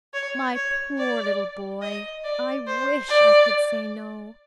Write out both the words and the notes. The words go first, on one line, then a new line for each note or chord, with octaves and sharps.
"My poor little boy, I wish I could say no."
C#5
C#5
D5
D#5
D5
C5
D5